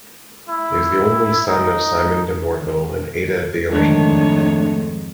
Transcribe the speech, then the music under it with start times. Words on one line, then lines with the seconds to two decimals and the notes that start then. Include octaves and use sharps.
He was the only son of Simon de Morville and Ada d’Engaine.
0.49 E4
1.48 D#4
3.71 F2 G#2 D#3 G#3 A3 D4 C#5